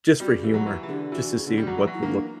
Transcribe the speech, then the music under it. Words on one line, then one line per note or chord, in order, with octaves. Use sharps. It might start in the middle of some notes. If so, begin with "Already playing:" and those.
just for humor, just to see what the look
G3 F#4
C#3
E3 G4
F#3
E3
E3
D3 G4
E3 F#4
D3
C#3
D3
G3
F#3
E3
F#3
E4
A#3 D4